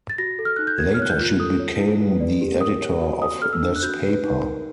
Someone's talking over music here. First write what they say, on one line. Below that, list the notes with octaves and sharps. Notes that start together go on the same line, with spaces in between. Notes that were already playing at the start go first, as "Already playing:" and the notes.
Later, she became the editor of this paper.
A6
F#4 A#6
A4
F6
D#4 F#6
G6
A#4 G#6
F6
C#5 F#6
G6
F4
A4 D#6
C#5
E4
B4
D5
G4
A#4 D#6
C#5
F#4
F#4 D#6
A4 F6
E6
D4
F#6
F#4 G6
B4
D#4
A#4